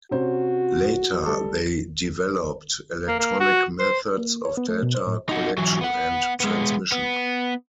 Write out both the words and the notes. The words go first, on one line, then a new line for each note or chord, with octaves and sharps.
Later they developed electronic methods of data collection and transmission.
C3 C#4 F#4 C5
G3 A4
A#3
A#3
F#4
C5
A#3
C#5
B3
A3
B2
C5
A2
D#4 F#4
E3 F#3
B3 F#5
G#3 B3
B3